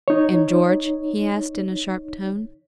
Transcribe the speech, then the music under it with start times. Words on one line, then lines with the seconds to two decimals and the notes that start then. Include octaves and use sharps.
"And George?" he asked in a sharp tone.
0.08 D#4 C#5